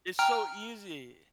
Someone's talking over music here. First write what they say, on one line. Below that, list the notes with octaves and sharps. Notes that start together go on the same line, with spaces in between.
It's so easy.
G5 A#5 F6